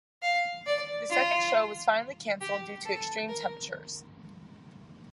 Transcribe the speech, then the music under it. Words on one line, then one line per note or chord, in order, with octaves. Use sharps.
The second show was finally canceled due to extreme temperatures.
F5
D5
F4
G4
A4
A#4